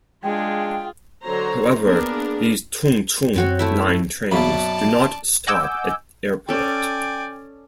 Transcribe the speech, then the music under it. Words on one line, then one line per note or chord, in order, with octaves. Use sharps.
However, these Tung Chung Line trains do not stop at Airport.
G#3 D4 F4 G#4 G5
D3 F#3 C5 C#5 A#5
A#3 B3 D4 G#4 A#4
F#2 C4 F#4 C#5
A3 E4 E5
F#2 B2 A#3 D5 A5 B5
D#5 F#5 G#5 D6 E6 G6
C#4 A4 D5 G5 G#5